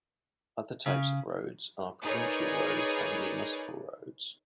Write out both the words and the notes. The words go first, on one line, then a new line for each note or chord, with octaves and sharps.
Other types of roads are provincial roads and municipal roads.
C#3
D#4 G#4 A#4 B4 C#5 D5